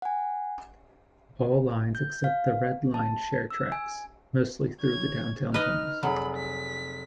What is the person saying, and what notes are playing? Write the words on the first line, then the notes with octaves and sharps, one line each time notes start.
All lines except the Red Line share tracks, mostly through the downtown tunnels.
F#5 G#5
G6
F5
A5
E6
G#5
C#5 G#6
D#4 B4 D#5 F6
F1 F#3 G#4 B5
B6